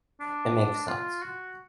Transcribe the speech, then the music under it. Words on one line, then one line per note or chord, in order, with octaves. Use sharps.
It makes sense.
D4
F4
F#4